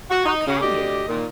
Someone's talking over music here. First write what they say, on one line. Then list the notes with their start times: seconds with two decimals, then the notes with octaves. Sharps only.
How can you?
0.10 F#4
0.25 D#4
0.46 C#3
0.61 D2 G4 D5 D#5
1.08 A#2 D#3